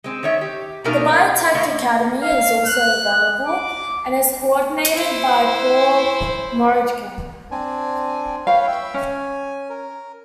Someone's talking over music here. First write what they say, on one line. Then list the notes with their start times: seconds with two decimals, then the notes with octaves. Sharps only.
The Biotech Academy is also available, and is coordinated by Paul Moradkhan.
0.04 G#3 C4
0.23 D#3 C#5 E5
0.41 G4
0.84 B2 A3 A#3 D4 D#4 A#4
1.13 F5
1.54 A2 A3 D#5 F5
2.22 F5
2.66 F#6
3.47 D6
4.93 E4 C5
7.51 C4 D4 G#5
8.47 B4 C#5 F5 G5
8.67 E5 G5
8.94 C#4 G#5
9.70 A#4